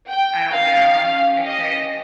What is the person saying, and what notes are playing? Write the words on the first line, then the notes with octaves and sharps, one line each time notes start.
I don't know. It could
G5
C#4 G4 F5
D#5